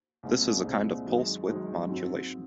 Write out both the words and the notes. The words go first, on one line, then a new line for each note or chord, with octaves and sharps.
This is a kind of pulse-width modulation.
C2 A#2 G#3 C4
C2 A#2 G#3 C4
F#2 D#3 G#3
F#2 D#3 G#3
G#2 F#3 C4